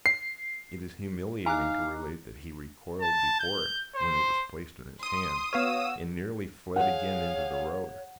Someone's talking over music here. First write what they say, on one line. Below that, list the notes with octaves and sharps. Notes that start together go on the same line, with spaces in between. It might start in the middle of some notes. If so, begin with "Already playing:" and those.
It is humiliating to relate that he recoiled before it when it was placed in his hand, and nearly fled again into the road.
C7
D#4 F5 G#5 A#5 D6 F#6
A5
G6
C5
C6 D#6
B3 F#4 B4 C#5 F5 E6 F6
G#4 C#5 F5 F#5